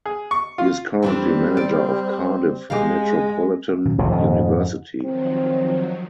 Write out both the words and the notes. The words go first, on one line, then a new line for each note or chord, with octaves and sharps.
He is currently manager of Cardiff Metropolitan University.
G#4
C#6
F4
F2 E3 G3 C4 D4
D5
G#3 G4 G#4 F5
A#2 D#3 C#4
F1 C#2 C3
F2 G#2 C#3
D#3 F3 F#3 C4